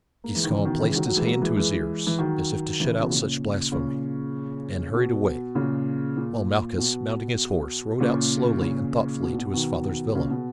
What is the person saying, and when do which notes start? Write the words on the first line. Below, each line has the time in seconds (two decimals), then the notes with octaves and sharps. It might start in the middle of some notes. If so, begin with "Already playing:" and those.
Giscon placed his hand to his ears as if to shut out such blasphemy, and hurried away, while Malchus, mounting his horse, rode out slowly and thoughtfully to his father's villa.
0.24 A#3
0.35 E3 G#3
0.44 D#3
0.50 C#3 E3
0.65 B2 D#3
0.80 C#3 E3
0.89 G#3
0.96 D#3 F#3
1.06 D#3 F#3
1.16 E3 G#3
1.26 F#3 A#3
1.42 E3 G#3
1.57 E3 G#3
2.07 E3
2.18 D#3 F#3
2.80 C#3 E3
3.01 B2
3.10 A#2 C#3
3.71 A#2 C#3
4.94 B2
5.55 A#2 C#3
6.17 A#2
6.78 B2
8.00 A#2 C#3
8.61 A#2 C#3
9.23 B2
9.33 A#2
9.38 B2
9.53 B2 D#3
10.15 A#2 C#3
10.30 B2